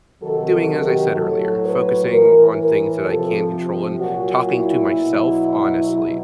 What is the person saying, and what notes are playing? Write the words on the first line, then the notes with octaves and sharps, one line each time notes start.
doing as I said earlier, focusing on things that I can control and talking to myself honestly,
C3 D#3 F#3 A4
A4
G4
A2 F#3 A4
B4
A2 E3 A#4
A#4
C3 F3 A4
A#2 F#3 F#4
E4
B2 F#3
B2 F#3